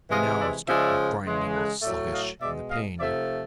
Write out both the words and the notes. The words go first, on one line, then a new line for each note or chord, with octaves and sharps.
But now it's getting grinding, sluggish; and the pain....
C3 E3 G#3 D#5 F5
D5 E5
C#3 F3 G#3 D5 E5
C#3 E3 G#3
A4 B4
A2 F#3 A3 D5 E5
D#5 F5
B2 G#3 D5 E5
D#5 F5
C3 F3 A3 D5 E5